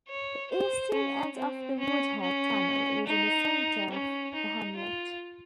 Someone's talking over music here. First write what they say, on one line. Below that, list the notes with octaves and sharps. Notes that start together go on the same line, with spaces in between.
The eastern end of the Woodhead Tunnel is in the centre of the hamlet.
C#5
C5
C#4
C4
C#4
C#4
D#4
C#4
D#4
F4